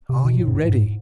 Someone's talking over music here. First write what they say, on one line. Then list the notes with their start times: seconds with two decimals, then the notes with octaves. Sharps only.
Are you ready?
0.09 C3
0.25 B2
0.39 A2
0.48 G#2
0.55 A2
0.70 G#2